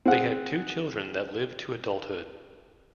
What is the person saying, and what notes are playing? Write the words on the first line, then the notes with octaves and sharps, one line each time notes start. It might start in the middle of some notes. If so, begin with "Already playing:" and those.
They had two children that lived to adulthood.
C4 G#4 F#5